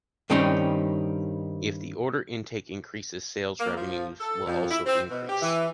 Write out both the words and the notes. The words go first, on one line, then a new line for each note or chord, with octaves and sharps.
If the order intake increases, sales revenues will also increase.
G2 D#3 G3 C4 C#4 D#4
A#3
F3
A4
F2
E4
C4
B2
G4
E3